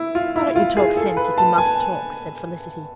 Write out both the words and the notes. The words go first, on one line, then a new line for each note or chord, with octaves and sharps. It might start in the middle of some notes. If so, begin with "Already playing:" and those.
"Why don't you talk sense, if you must talk?" said Felicity.
Already playing: E4
F4
E4
F4
G#4
A4
B4
A5
G#5